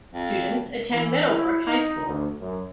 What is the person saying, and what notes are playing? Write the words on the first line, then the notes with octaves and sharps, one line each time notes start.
Students attend Meadowbrook High School.
F2
E3
E4
D#4
D2
F#2